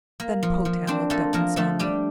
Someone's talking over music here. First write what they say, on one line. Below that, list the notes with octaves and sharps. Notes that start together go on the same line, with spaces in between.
Then Potan looked up and saw me.
A#3
F3
F3
C4 D4 C5
A3 A#3 A4
F3 A#3 A#4
F3 A3 A4
G3 D4 G4